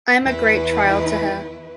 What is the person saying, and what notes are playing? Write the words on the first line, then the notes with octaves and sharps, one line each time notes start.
I’m a great trial to her.
E2 E3 E4 B4